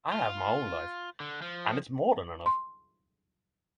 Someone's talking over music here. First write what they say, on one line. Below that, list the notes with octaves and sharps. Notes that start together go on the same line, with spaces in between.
I have my own life and it's more than enough.
F4
D3
F3
C6